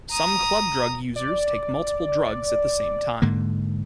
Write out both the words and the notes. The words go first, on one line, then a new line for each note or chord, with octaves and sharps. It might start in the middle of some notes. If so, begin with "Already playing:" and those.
Some club drug users take multiple drugs at the same time.
A#5 D#6
D5
G#2 D3 A#3